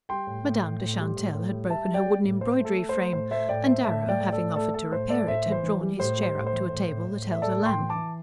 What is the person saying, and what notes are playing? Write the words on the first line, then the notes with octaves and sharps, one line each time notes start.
Madame de Chantelle had broken her wooden embroidery frame, and Darrow, having offered to repair it, had drawn his chair up to a table that held a lamp.
G3 G5 C6
A2
A2
A2
A2
G3
A2
A2
G3
G3 E5 A5
G3
D5 G5
G3
A2
A3 C5
A3
A4
A3
C5
A3
A2 C5
A3 C5 E5
A2 D5 G5
A3 C5 E5
A2 E5 A5
A3
D5 G5
A2
A4 D5
A2
A3 A4 D5
A3 A4
A2 C5
A3 A4 D5
A2 C5 E5
E3
C5
E3
G3
A2 C5
G3
C5
A2
C5
E3
A2
A2
A2
A2
E5
A2 A4 D5
A2
G5 C6
E3
A5 D6
E3